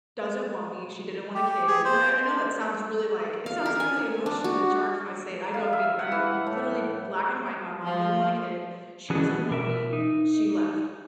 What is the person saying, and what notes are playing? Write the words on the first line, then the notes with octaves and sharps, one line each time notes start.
doesn't want me, she didn't want a kid, and I I know that sounds really, like, it sounds really emotionally charged when I say it. I don't mean it. I mean, literally black and white, my mom didn't want a kid, she doesn't want me, she left.
G4
G#4
C5
F5
A#4
G#5
D4
F#4
F5
E5
F#5
E3
A2
F3
E3 C#4 D4 E4 F#4 G#4
B2 A#4 E5
D#4